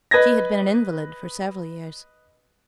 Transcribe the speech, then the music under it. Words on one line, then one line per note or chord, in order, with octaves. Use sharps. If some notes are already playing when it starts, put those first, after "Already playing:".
She had been an invalid for several years.
B4 D#5 G#6 A#6